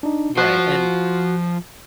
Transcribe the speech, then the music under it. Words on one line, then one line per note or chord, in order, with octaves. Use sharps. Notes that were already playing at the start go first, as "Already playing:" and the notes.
Right, and,
D4 D#4
F3 F#4 C5 F#6 C7